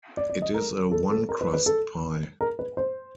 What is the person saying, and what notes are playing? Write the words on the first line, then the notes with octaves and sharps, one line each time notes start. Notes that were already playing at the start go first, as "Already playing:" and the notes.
It is a one-crust pie.
D5
D5
D#5
A#4
A4
A4
A#4
B4
B4
A4
A#4
B4
C5